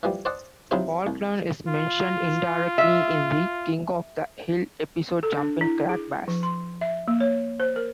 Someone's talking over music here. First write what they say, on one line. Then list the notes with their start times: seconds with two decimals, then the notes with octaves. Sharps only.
Faulkner is mentioned indirectly in the "King of the Hill" episode "Jumpin' Crack Bass".
0.03 E3 F3 G3
0.25 C5 D5 D#5 F#5 A5
0.71 C3 F3 F#3 D#4 E4 C5
1.07 C2
1.68 F4
2.78 E5
5.23 A4
5.37 D4
5.61 E4
5.89 G#4
6.28 F3
6.43 C6
6.81 E5
7.08 A#3
7.20 C#5
7.60 C5
7.76 A#4